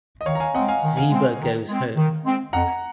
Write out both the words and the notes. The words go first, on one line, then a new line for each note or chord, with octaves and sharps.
Zeba goes home.
D#5
D#3 C#5 F5
A#5
F5 G#5
G#3 C4 D#5 F#5
F5 G#5
D#3
F5 G#5
G#3 C4
D#3
G#3 C4
D#3
G#3 C4
F2 F#5 A#5